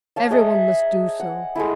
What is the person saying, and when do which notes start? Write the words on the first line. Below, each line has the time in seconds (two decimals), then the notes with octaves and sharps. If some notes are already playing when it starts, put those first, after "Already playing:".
Every one must do so.
0.16 C#5 F5 A5
0.31 G#4 D#5 E5 A#5
1.20 F#5
1.55 G#3 A3 E4